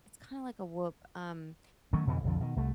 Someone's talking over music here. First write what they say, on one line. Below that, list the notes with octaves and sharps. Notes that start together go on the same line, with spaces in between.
It's kinda like a Whoop. Um,
D#3 F#3 A3 C#4
F2 B2 D3 E3
B1 F2 D3 F3
B2 D#3
C2 A3